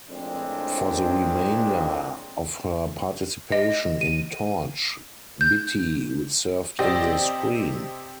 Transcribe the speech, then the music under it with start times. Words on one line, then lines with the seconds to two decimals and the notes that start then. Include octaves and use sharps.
For the remainder of her participation in "Torch," "Beatty" served in the screen.
0.10 A#1 F2 A2 G#3 C4 D4
3.52 D#5
4.01 D#7
5.41 G6
6.79 C3 C4 G4 D5 D#5 A#6